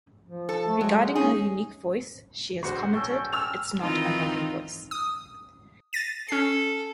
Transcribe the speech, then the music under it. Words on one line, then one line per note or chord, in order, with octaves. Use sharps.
Regarding her unique voice she has commented: It's not a normal voice.
F3
A4
A3
F#3 G#3
C#4 D#4 G#4
A#1 F#4 C5
C#4 A4 G5 C#6
E6 F6 F7
D#3 E3 C4 D#4 F4
D#6
A6 A#6 D#7
C#4 A4 C7